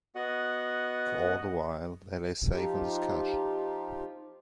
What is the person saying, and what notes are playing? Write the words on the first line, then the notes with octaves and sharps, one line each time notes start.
For all the while they lay safe in this cache.
B3 F#4 D#5 F#5
F3 D#4 F4 G4